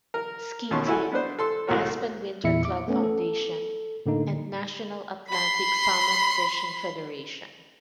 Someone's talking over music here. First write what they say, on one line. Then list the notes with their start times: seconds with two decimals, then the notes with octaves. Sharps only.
Ski Team, Aspen Winterclub Foundation, and National Atlantic Salmon Fishing Federation.
0.14 A#4
0.71 D#2 B2 C#4 A5 C6 C#6
0.87 E4 F#4 A4 G#5
1.12 B3 D4 C5
1.39 A4 C6
1.67 C2 A2 A#3 F#4 A#4 C#5
2.44 E2 A#2 E4 E5 C#7
2.65 D6
2.88 A3 B3 C#4
3.04 A4
4.06 A2 D3 A#3 D#4
5.29 B5 C6